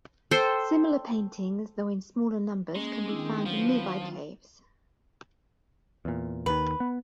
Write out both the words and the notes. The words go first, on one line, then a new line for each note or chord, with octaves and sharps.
Similar paintings, though in smaller numbers, can be found in nearby caves.
A4 C5 G5
G#3 A#3 C#4
D#3 C4 D4 E4 G5
D#3 F3 F#3 F#4 B4
F4
E2 A#2
D#2 D#3 B4
B3